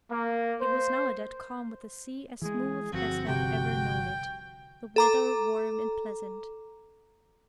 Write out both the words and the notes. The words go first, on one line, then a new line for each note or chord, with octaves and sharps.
It was now a dead calm, with the sea as smooth as have ever known it,--the weather warm and pleasant.
A#3
C5
E3 G#3 G#4
G1 F3 C4 F#4
C3 F#4 G5
A4 A#5 D6